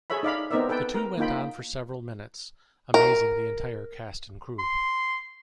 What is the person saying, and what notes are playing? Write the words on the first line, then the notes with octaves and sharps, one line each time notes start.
The two went on for several minutes, amazing the entire cast and crew.
G#4 A4 C#5 E5 B5
D#4 D5 F5 B5
B3 C4 D#4 A#4 D5 E5
A4 B4 G5 A5
A#4
A#3 D#4 F4 G5 B5
A#4
C6